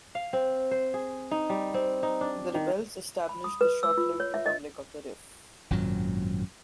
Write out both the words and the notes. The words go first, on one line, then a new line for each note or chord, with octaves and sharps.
The rebels established the short-lived Republic of the Rif.
F5
C4
C5
G#4
D#4
G3
C4
D#4
D4
D#3
B5
D#6
B4
E6
F4
C#5
E5
D#5
G#1 F#2 A#2 F#3